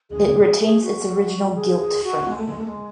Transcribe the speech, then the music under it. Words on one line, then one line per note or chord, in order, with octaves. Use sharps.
It retains its original gilt frame.
G#4
F#4
G#4
G#4
F#4
G#3
A3
G#3
A3
G#3